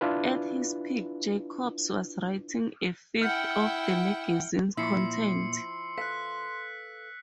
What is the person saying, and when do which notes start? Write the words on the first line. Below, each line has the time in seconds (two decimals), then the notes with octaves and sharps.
At his peak, Jacobs was writing a fifth of the magazine's content.
0.01 D4 E4 F4 B4
3.22 E4 F#5 G5 F6 G6 C#7
4.77 A#2 F3 E4 C6 E6 C7 C#7
5.98 A4 B4 F5 F#6 B6